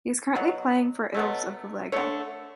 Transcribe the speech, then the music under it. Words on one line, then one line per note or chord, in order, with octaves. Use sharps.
He is currently playing for Ilves of the Liiga.
B2 F#3
B2 F#3 A3
D3 A3 C#5